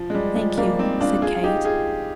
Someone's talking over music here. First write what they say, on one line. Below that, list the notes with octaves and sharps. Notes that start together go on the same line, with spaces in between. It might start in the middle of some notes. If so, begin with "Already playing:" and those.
"Thank you," said Kate.
Already playing: F3
G#3
G3
F3 G#3
G3 A#3
C4 D#4
D4 F4
F4 G#4
F4
D#4 G4
F4 G#4